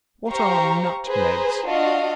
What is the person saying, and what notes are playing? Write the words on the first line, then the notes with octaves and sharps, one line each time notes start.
What are Nutmegs?
G4 C5 F5 A#5 C#6
G#4 B4 C5 A#5
D4 F4 F#4 D#5 F5 A5